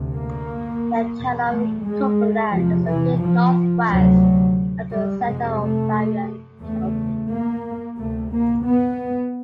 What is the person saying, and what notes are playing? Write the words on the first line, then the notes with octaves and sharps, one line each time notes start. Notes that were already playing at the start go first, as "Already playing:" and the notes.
The town of Cumberland is located northwest of the center of Barron County.
Already playing: D2 C3
A#3
E2 B2
A3
G#3
E2 C3 F3
E3
F3
D2 C3 F#3
G3
F2 C3 G#3
A3
E2 C#3 A3
A#3
D2 C3 A3
A#3
B3